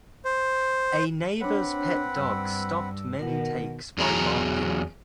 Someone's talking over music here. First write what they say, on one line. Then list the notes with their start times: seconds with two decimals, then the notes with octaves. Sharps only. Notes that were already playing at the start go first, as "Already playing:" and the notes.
A neighbor's pet dog stopped many takes by barking.
0.25 C5
1.41 C4 D4 B4 C#5 F#5
2.16 G2 E6
3.19 B2 D#3 A#4 F#5
3.98 E2 F#3 G#4 A#5